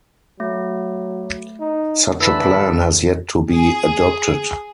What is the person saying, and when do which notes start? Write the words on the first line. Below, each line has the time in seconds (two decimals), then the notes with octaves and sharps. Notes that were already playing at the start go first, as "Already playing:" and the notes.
Such a plan has yet to be adopted.
0.40 F#3 A3
1.60 D#4
2.21 D3 E3 B4 A5 B5 E6
3.52 G#4